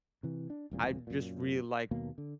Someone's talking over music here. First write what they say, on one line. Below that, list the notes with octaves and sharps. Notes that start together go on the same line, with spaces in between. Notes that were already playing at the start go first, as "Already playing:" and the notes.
I just really like
C3 E3
D4
E1 C2 A#2
F#2 A#2
D#2 B2 F#3 A#3
D3